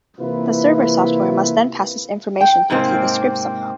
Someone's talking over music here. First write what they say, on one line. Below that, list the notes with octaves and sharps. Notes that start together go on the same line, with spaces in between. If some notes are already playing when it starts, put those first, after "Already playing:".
The server software must then pass this information through to the script somehow.
C3 E3 A#3 E4 F4 B4
G5
G#2 C3 A#3 C4